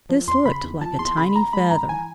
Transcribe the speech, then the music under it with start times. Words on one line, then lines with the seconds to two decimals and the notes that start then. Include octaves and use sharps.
This looked like a tiny feather.
0.10 F3
0.27 E2 C6
0.46 C#3 B5
0.64 E2
0.81 F3 A5
0.99 E2 C6
1.17 C#3 B5
1.35 E2 A#5
1.53 G#3 B5
1.71 G2 A#5
1.89 E3 G#5